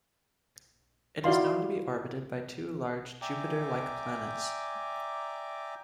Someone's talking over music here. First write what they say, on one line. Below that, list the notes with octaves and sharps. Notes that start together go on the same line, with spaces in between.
It is known to be orbited by two large Jupiter-like planets.
E4 F#4 D5 F5 C6
D5 E5 G5 G#5 A#5 D6